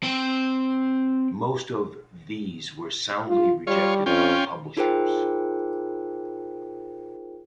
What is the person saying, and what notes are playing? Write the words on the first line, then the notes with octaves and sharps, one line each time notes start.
Most of these were soundly rejected by publishers.
C4 G5
F4
G3 F4 C#5
F2 C#4 F4 G5
D#4 F4 G#4 A#4 C5 G5